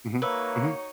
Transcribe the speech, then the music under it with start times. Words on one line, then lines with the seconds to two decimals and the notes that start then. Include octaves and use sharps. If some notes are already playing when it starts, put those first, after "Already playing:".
Mhm, mhm.
0.22 A#3 D#4 F#4 B4 C#5 E5